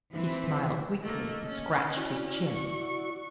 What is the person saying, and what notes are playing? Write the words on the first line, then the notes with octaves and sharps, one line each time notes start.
He smiled weakly and scratched his chin.
E3 C4 B4
A3 A#3 D#5
C#4
E4 F#4 D5
C#6